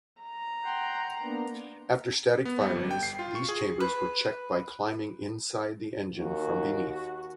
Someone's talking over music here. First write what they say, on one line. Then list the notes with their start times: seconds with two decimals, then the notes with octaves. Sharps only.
After static firings, these chambers were checked by climbing inside the engine from beneath.
0.22 A#5
0.64 F#5 G5 C6
1.22 A#3 B3 D4
2.45 B3
2.61 G3
2.75 G1
2.91 G5
3.03 C7
3.19 F4
3.35 C#6
3.49 G#4
3.80 B4
6.17 D#2 F#4